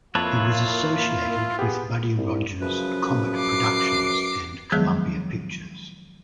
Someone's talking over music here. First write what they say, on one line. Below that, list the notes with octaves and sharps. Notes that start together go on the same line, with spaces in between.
He was associated with Buddy Rogers' Comet Productions and Columbia Pictures.
F2 A#3 E4 F4 B4 C#5 A5 A6
B3 G4 G#4
C2
F#2 C#3 F3 B4
D6 C7
D#3 F3 F#3 G#3 B3 G#4